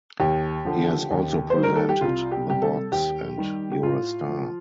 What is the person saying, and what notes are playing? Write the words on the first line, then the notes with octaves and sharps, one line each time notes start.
He has also presented "The Box" and "You're a Star".
D#2 G4
D3 F3
D#2
C5
D#3 G3
A#4
A4
G4
C2 F4
G4
C3 G3 G4
A4
D#2 G4
D#3 G3
G4
A2 F4
F3